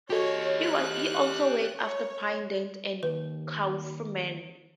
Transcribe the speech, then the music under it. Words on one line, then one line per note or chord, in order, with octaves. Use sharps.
He also worked after Pine, Dance and Kauffman.
F#4 G4 A4 C#5 D#5
F#6
C#5
D#2 B4